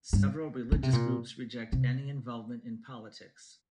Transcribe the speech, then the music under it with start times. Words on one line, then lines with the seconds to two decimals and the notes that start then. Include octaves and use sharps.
Several religious groups reject any involvement in politics.
0.13 G2
0.72 C#3
0.83 C3
0.93 A#2
1.72 C3